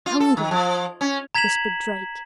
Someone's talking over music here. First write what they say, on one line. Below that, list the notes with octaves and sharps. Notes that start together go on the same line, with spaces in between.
"Hungry!" whispered Drake.
F4
A4
D#3
F3
C#4
A#5 G#6 B6 E7 F#7